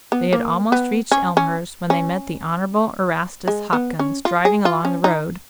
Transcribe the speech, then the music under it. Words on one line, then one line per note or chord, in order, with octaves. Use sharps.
They had almost reached Elmhurst when they met the Honorable Erastus Hopkins driving along the road.
B3
A#3
B3
C#4
C#4
C#4
G#3
B3
C#4
F4
G#4
F4
C#4
D#4